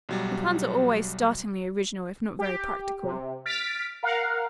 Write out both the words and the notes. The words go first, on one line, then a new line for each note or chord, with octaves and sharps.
"Your plans are always startlingly original if not very practical."
B1 F#3 G3
G4
C3
F6 A6 B6 D7
A#4 F5 F#5